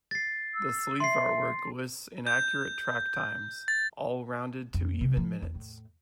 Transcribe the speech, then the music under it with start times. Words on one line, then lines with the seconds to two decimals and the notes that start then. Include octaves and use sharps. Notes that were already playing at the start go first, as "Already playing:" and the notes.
The sleeve artwork lists inaccurate track times, all rounded to even minutes.
0.11 A6 C7
0.54 E6
1.00 E5 C6 C7
2.27 G6
3.68 A6
4.74 F2
5.01 C3
5.17 F3
5.42 E2
5.55 A2